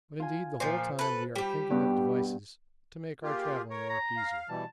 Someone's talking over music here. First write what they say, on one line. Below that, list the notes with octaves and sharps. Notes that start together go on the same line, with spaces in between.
But indeed the whole time we are thinking of devices to make our travelling work easier.
F4 G#5
A#2 F3 C5
A4 B4
G3 G4
G2 B2 B3
A#3 F4 G4 G#4
A#4 C#5
A#5
F5
B2 E3 G3 A5